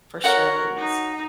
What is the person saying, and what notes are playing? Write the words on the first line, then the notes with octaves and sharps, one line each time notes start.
for shows.
F#4 A#4 C#5 F#5
D#4